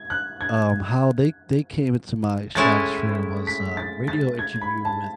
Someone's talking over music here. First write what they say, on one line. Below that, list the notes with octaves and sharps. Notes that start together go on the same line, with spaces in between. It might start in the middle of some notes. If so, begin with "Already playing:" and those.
um, how they they came into my stratosphere was a radio interview with
Already playing: G#6
F#6
G#6
A2 G#3 C#4 E4 A6
B6
A6
A6
G#6
B5
A5